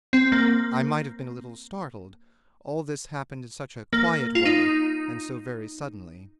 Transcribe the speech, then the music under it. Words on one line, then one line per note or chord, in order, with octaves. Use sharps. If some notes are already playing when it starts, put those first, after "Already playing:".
I might have been a little startled: all this happened in such a quiet way and so very suddenly.
C4
A#3
A#3
F4
D#4